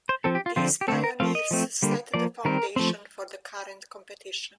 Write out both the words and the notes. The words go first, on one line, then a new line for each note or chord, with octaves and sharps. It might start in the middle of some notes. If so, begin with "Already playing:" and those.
These pioneers set the foundation for the current competition.
C5
F3 C4 A4
G4
F4
D3 F3 C4 F4
G4
D3 A3 C4 A4
A#4
F3 A3 C4 F5
D#5
F3 A3 C4
D3 G3 A#3
F3 A#3 D5
D#3 G3 C4 A#4
F3 A3 C4